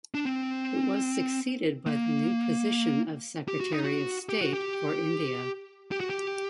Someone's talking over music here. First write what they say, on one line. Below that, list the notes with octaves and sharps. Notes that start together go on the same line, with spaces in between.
It was succeeded by the new position of Secretary of State for India.
D4
C4
A#3
G4
F#4
D#4
F#4
G4
F#4
G4
G4
F#4
G4